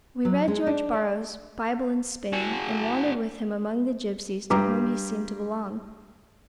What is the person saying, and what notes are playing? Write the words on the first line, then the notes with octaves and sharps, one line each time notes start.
We read George Borrow's "Bible in Spain," and wandered with him among the gypsies to whom he seemed to belong.
F#3
G#3
D4
D5
F#4 G#4
G2 G4 A#5 D6